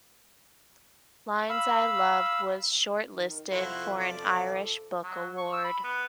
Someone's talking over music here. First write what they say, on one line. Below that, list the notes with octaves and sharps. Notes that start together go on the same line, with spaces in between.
"Lines I Love" was shortlisted for an Irish Book Award.
F5 B5 E6
D#3 A#4
F2 C3 F3 E4 F#4 A4 C6
A4 D5
F#3
C#6
E6
B5
B3